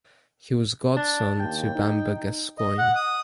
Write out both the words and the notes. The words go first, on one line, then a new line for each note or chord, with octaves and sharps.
He was godson to Bamber Gascoyne.
D4
D#2 G5
D#4
D#5
F#5
D#6